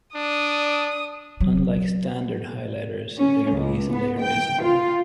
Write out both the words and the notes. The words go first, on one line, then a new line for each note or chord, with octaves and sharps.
Unlike standard highlighters, they are easily erasable.
D4 D#6
F#3
C#4
C#2
B3
G5
F4